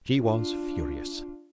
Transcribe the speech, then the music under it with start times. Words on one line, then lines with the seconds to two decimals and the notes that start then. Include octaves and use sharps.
She was furious.
0.16 D4 F4